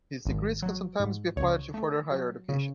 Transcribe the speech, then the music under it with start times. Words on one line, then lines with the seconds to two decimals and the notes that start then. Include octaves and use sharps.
These degrees can sometimes be applied to further higher education.
0.25 G#1
0.62 F#3
1.00 G#2
1.36 C#2 C#5
1.74 A3
2.11 F#3
2.49 C#3